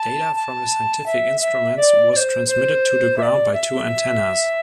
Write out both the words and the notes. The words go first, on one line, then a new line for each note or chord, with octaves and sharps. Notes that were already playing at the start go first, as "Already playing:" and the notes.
Data from the scientific instruments was transmitted to the ground by two antennas.
Already playing: A5
A5
E5
E5
D5
D5
C5
C5
E5
D5
E5